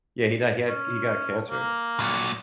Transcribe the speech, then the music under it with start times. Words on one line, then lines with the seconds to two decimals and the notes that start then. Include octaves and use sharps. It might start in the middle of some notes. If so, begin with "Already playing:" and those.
Yeah, he di he had he got cancer.
0.68 C#4
1.50 A#3
2.00 A#2 F#3